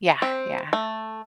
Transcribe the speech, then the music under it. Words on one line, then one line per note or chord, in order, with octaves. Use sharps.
Yeah, yeah.
C4
A3